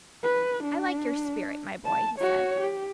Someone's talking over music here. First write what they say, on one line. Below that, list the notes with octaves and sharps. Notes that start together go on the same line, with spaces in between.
"I like your spirit, my boy," he said.
B4
D4
A5
F#4 C#5
G4